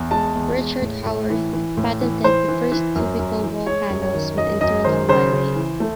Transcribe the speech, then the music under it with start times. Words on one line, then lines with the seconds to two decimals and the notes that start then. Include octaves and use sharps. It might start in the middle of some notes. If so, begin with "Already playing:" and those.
Richard Haworth patented the first cubicle wall panels with internal wiring.
Already playing: E2
0.11 G#3 A5
0.36 E2
0.58 G#3
0.82 A2
1.06 A2
1.30 E3
1.53 E3
1.77 A2
2.01 E3
2.24 E3 C5
2.49 E3
2.72 E3
2.96 F#2
3.19 F#2
3.43 E3
3.66 G#3 C#5
3.90 F#2
4.02 C#5
4.14 D#3
4.38 F#2 D#5
4.61 F#2 D#5
4.85 D#3 C5
5.09 C#3 C5
5.33 C#3
5.56 E3
5.80 A3